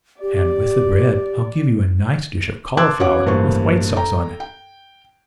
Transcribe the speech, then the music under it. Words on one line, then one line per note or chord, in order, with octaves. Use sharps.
"And with the bread, I'll give you a nice dish of cauliflower with white sauce on it."
G4 D5
A5 C6 D6 E6 F#6 G#6
C#4 F#4 C#5 F5 F#5 D6
A1 G2 A#3 B4 C5 C#6
A4 G5 A#5
G5